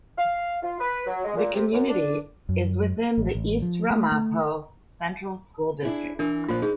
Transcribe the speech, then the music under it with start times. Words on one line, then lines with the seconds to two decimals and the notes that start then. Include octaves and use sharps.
The community is within the East Ramapo Central School District.
0.18 F5
0.63 F4
0.79 B4
1.07 F#3
1.25 G#3
1.36 A#2
1.54 C3
1.71 F#2
1.88 D4
2.49 F#2
3.18 A1
3.35 A1
3.62 F3
3.90 A3
4.12 A3
5.83 D4 E4 G#4
6.19 E3 D4 A#4
6.48 A#2 F3 F4 C5
6.62 D#4 G#4